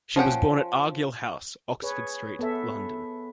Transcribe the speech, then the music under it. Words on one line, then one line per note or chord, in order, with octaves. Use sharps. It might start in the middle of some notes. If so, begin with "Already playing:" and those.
She was born at Argyll House, Oxford Street, London.
F3 C#4 F#5 G5
G#4 B4 C#5
B3 A4 E5